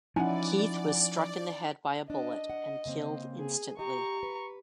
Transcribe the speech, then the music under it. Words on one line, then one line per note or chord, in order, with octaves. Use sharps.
Keith was struck in the head by a bullet and killed instantly.
F3 C#4 D#4 E4 D5 F#5 G#5
D4 D#5
F#5
C#3 A#3 C4
G#4
G4 D#5 A#5 C#6
B4